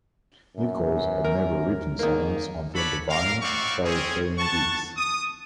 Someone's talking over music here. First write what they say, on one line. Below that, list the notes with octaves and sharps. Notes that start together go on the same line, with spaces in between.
Nicholls had never written songs until The Vines started playing gigs.
F#2
A#4
G#2 D#3 A#3
F#4 A4 C#5 D5 B5
A#4 F5
C4 E4 F#4 D5 F5 C#6
C4 C#4 G#4
F#5 A5 C#6
D#6